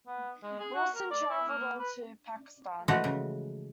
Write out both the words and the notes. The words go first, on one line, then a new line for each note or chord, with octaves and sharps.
Wilson travelled on to Pakistan.
B3
G#3
G#4
F#4
A#4
D5
E4
A#3
B4
E3 F3 G#3 A3 F#4
C#3